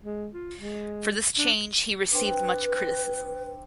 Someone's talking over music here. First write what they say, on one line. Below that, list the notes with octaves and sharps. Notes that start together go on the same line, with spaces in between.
For this change he received much criticism.
G#3
F4
G#3
D4
C4 D4 B4